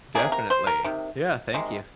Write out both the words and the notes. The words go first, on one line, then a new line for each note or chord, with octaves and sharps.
Definitely. Yeah, thank you.
C3 D#3 A#3 G#4
A#4
C5
A#4
C3 D#3
C3 D#3 G#3